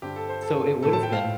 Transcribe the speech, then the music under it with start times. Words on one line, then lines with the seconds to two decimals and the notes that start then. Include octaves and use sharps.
so, it would've been
0.02 G2 D3 G3 C4 G4
0.16 A4
0.29 C5
0.43 A4
0.83 A2 A3 C4 A4
0.93 A5
1.03 G5
1.12 F5